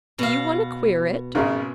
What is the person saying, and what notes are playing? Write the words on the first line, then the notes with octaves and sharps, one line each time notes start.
Do you want to queer it?
B2 F5
G#1 C#3 A#4